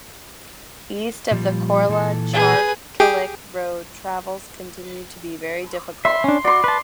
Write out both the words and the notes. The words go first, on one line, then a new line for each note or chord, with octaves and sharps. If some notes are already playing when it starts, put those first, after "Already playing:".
East of the Korla-Charkilik road travel continues to be very difficult.
A#2 F3 G3
A#2 E3 A4
G#4 B4
G4 G#4 G5
E5 C6
C#4 D4
F#4 D5 C6
B4 A5